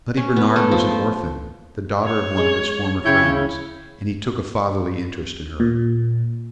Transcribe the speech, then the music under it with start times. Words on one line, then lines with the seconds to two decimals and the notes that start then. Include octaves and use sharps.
Letty Bernard was an orphan, the daughter of one of his former friends, and he took a fatherly interest in her.
0.17 C#4
0.36 B3
0.56 A3
0.71 F3
2.05 C#5
2.38 G#3
3.05 C#3 C#4 E4 C#5 G5 G6 G#6
5.60 A#2